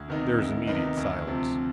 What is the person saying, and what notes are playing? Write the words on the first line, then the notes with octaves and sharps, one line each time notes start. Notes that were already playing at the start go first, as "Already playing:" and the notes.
There was immediate silence.
Already playing: D2
C3 D#3 B3 D#4
D2
C3 D#3 B3 D#4
D2
C3 F3 C4